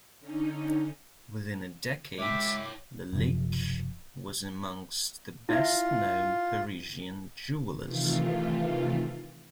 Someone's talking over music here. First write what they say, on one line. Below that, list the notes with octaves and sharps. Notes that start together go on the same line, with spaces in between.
Within a decade, Lalique was amongst the best-known Parisian jewellers.
D3 C#4 D#4
G#3 C#5 E5 G5 D6
E1 F#2 C3 F3
E4 F4 E5
C3 D#3 E3 A3 F4